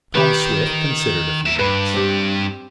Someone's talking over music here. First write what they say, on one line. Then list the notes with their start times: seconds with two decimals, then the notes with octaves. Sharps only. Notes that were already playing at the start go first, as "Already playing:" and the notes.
Tom Swift considered a few minutes.
0.15 D#3 G4 B4
1.46 A#4 E5
1.59 G2 B4
1.94 C4 G4